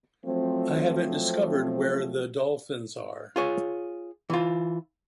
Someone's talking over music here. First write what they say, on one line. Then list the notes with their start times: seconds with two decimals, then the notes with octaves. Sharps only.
I haven't discovered where the dolphins are.
0.25 F3 F#3 A3 C4
3.36 F4 G#4 C#5
4.30 E3 F4